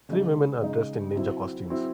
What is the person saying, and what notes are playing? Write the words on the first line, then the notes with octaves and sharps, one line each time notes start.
Three women are dressed in ninja costumes.
C#3 G#3 D#4
C#3 G#3 D#4
F#3 C4 E4
F#3 C4 E4